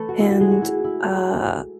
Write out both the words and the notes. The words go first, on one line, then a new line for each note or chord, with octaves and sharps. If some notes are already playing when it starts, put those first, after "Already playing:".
and, uh
Already playing: A3 A4 B4
F#4
E4
F#4
G#3 G#4
F#4
E4
E4